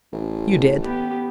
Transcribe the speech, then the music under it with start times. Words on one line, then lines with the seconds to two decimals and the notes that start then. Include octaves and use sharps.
"You did."
0.12 A1
0.83 B3 G4